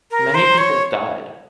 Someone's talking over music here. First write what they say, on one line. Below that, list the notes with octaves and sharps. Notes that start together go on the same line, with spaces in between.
Many people died.
A#4
C5
C#5